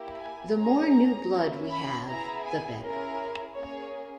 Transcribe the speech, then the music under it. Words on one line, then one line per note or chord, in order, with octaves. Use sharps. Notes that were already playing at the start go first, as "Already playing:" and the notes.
The more new blood we have, the better.
Already playing: A#3 E4 G4
G#5
C#4 G#4 A#5
A#3 C#4 E4
B5
B3 E4 G#4 A#5
G#5
C#4 E4 G#4 A#4
A#3 C#4 G#4 C#5